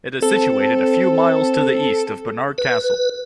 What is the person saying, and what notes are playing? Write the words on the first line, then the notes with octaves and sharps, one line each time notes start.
It is situated a few miles to the east of Barnard Castle.
C4 A4
B4